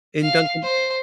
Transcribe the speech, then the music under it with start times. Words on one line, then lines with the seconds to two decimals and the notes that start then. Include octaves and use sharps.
in Dunkin'?
0.22 F5
0.63 C5